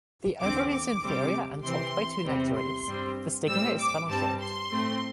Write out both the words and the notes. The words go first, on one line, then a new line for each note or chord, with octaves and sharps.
The ovary is inferior and topped by two nectaries, the stigma is funnel-shaped.
E2 D3 C4 D6
D6
C3 G3 C4
C3 E3 C4 C6
E2 C3 G3 C4
C6
G2 G3 C4
A2 G3 C4 E6
D6
G2 G3 C4 A5
C6
A2 A3 C4